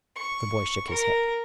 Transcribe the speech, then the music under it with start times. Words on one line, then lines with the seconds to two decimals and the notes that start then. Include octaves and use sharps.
The boy shook his head.
0.16 C#6
0.90 A#4